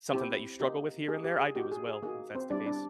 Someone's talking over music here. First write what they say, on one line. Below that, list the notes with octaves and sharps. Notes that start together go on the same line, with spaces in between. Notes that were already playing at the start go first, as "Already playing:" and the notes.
something that you struggle with here and there, I do as well, if that's the case.
C4 E4 G4
A#3 D#4 G4
A#3 D#4 G4 G#4
G4
G#4
A#3 D#4 F#4 G4
G#4
G#4
A#3 D#4 F#4 G#4
C4 C5
G3 B3 D4 E4 G4 D5
D4 D5